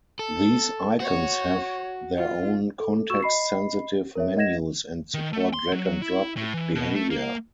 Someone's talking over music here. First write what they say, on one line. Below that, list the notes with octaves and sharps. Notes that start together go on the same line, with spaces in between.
These icons have their own context-sensitive menus and support drag and drop behaviour.
A4
F#4 C#5
F4
A4
F#4 C#6 E6 E7
D#5 B5 C7
A#4 C#5 E5
D#5 F#5 G#6 A#6 E7
D#3
A3
C6
F#3
E4
A2
E3
B2
A3
A#3